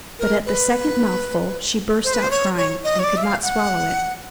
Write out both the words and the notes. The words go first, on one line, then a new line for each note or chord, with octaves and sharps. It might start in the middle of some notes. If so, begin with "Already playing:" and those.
But at the second mouthful she burst out crying, and could not swallow it.
A#4
B4
C5
B4
C5
C#5
C#5
D#5
C#5
D5
E5
F5
F#5